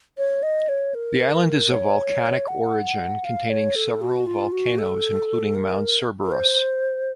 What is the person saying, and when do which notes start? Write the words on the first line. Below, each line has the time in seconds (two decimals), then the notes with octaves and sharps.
The island is of volcanic origin, containing several volcanoes including Mount Cerberus.
0.18 C#5
0.43 D#5
0.68 C#5
0.94 A#4
1.71 C#5
2.48 F#5
3.25 F5
3.50 C#5
3.75 A4
4.01 F#4
4.26 F4
4.52 F#4
4.78 A4
5.55 A#4
6.23 A#4
6.31 C5